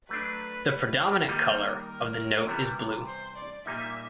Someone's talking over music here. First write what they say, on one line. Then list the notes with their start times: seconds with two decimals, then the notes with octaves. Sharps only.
The predominant colour of the note is blue.
0.09 F#3 A3 D4 B4
1.28 D#3 G3 A#3 D#4 A#4
1.87 A#4
2.47 C3 E3 G3 B3
3.06 C5
3.35 D5
3.65 A#2 G3 A#3 D#4 E5